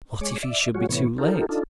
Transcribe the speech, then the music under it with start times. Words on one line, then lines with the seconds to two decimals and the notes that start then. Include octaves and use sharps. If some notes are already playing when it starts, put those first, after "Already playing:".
What if he should be too late?
0.21 G#3 C#5 D6
0.43 D5 E5
0.75 F#3 G#3 F4 F#4 C#5
0.89 A2 C3 E3 B3 C#5
1.18 D#4 F4 G4 A4 A#4
1.49 D4 D#4 F4 A4